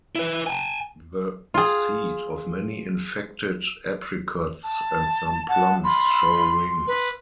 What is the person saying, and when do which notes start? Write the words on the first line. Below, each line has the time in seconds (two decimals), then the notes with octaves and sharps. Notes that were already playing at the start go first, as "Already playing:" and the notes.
The seed of many infected apricots and some plums show rings.
0.15 E4 B4
0.47 G5 G#5
1.54 F4 G#4
4.64 A5
5.49 F#5 A5
5.84 B5 C6
6.87 B4